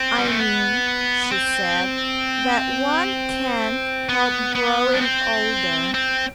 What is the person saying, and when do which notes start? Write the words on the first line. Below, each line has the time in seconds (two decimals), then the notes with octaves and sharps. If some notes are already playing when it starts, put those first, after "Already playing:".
'I mean,' she said, 'that one can't help growing older.'
Already playing: C4
0.18 G3
0.28 A3
0.39 B3
1.32 C4
4.09 B3
4.55 B3
4.94 D4
5.01 C4
5.94 C4